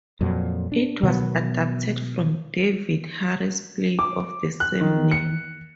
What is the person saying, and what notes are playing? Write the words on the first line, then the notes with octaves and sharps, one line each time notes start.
It was adapted from David Hare's play of the same name.
F2 A#2 F#3
D4
B2 D#3 F#3 B3
D6
F#6
D#3
C#7